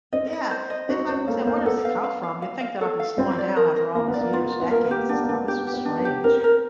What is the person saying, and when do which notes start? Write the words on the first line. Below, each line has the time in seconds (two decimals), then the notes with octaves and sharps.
Yeah, it's like we're say "Where does this come from?" You think that I'll be slowing down after all these years, decades and stuff. It's s strange.
0.13 C4 D#5
0.33 D#5
0.51 C5
0.70 D#5
0.89 C4 F#4
1.09 C#4 C5
1.28 A#3 A4
1.47 A#3 C5
1.59 A#3
1.65 B3 A4
1.85 F5
2.04 F5
2.23 F5
2.42 F5
2.61 F5
2.81 A4
2.99 F5
3.18 C4 F4
3.38 D5
3.56 A#4
3.76 A#4
3.95 A#3 A#4
4.08 B3
4.14 D5
4.21 A#3
4.33 B3 F4
4.46 A#3
4.52 F4
4.60 B3
4.71 A#3 A#4
4.85 B3
4.91 G4
4.98 A#3
5.09 B3 D4
5.24 A#3
5.29 D4
5.48 B3 G4
5.67 G4
5.74 B3
5.85 D4
5.99 B3
6.05 G4
6.24 C4 A#4
6.44 A#4